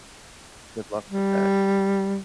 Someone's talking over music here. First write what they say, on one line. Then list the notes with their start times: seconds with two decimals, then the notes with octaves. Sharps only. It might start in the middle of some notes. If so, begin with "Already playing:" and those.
Good luck with that.
1.11 G3